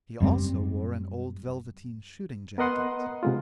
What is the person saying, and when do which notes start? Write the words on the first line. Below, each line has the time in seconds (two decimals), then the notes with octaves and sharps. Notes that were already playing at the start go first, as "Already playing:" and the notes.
He also wore an old velveteen shooting jacket.
0.20 F#1 F#2 G3 C4
2.58 B3 A#4 D#5 F#5 C6 D#6
3.23 C3 G#3 F4